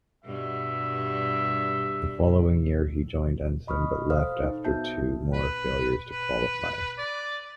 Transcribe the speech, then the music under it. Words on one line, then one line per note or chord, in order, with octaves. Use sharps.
The following year he joined Ensign but left after two more failures to qualify.
G2 B2 G3 E5
D#5 B5 C#6 D#6 F6
A4 C5 F5 D#6 F6
D#4
B3 F#4 E5 A5 G6
B4
B4
D5